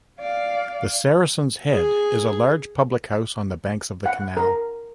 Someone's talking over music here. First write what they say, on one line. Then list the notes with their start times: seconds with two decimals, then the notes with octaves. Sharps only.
The Saracen's Head is a large public house on the banks of the canal.
0.19 D5 F5
1.71 G#4 G#5
4.06 F#5
4.37 A#4